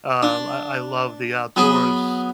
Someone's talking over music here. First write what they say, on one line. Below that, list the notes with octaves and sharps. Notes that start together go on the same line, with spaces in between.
uh, I I love the outdoors,
D4
F#3 B3 G#4